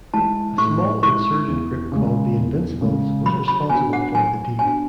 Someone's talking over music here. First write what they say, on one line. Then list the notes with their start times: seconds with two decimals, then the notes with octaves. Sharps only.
A small insurgent group called the Invincibles was responsible for the deed.
0.13 E3 G#3 A5
0.58 A2 C#6
1.03 E3 G#3 C#6
1.48 E2
1.92 C#3 G#3
2.37 E2
2.81 C#3 G#3
3.25 F#3 B5
3.48 B5
3.70 B3 D4 F#4 G#5
3.93 F#5
4.15 F#3 G#5
4.59 B3 D4 F#4 G#5